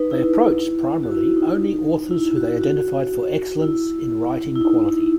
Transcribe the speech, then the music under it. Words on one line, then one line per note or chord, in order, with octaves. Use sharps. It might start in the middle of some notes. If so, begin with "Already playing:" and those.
They approached primarily only authors who they identified for excellence in writing quality.
Already playing: D#4 B4
E4
F#4
E4
D#4
E4
F#4
F#4
E4
E4
D#4